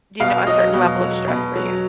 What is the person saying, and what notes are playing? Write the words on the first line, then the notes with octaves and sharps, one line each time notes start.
you know, a certain level of stress for you?
B2 F5
F#3 D#5
B2
F#3
B2
F#3